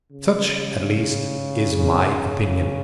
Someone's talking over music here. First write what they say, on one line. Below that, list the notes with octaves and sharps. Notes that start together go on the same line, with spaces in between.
Such, at least, is my opinion.
C#3
C#3
C#3